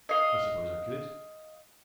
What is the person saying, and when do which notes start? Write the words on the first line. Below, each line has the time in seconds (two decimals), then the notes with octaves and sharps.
"I suppose I could."
0.09 D#5 F5